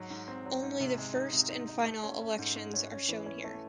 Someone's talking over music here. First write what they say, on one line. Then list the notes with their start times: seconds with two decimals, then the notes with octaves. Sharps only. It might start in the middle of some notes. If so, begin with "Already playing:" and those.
Only the first and final elections are shown here.
Already playing: G#2 F#3
0.10 G#2
0.28 C4
0.46 F#3
0.63 G#2
0.80 C3
0.98 G#3
1.15 D#4
1.33 C3
1.50 D#4
1.68 D#4
1.86 A3
2.03 C#4
2.21 C#4
2.39 G#2
2.56 G#2
2.74 C#4
2.91 C#4
3.09 E3
3.26 C#4
3.44 A3